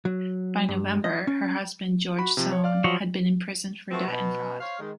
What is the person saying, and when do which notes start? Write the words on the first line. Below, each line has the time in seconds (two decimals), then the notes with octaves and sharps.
By November her husband George Soane had been imprisoned for debt and fraud.
0.05 F#3
0.69 G2
1.04 D#5
1.27 C#4
2.18 F#4 B5
2.37 C3 F3
2.52 C#5
2.64 D5 F5 F6
2.84 F3 F#3 F#4
3.91 F3 A3 B3 C4 F#4
4.06 B2
4.59 C5 C#5 F5
4.79 D#3 G#3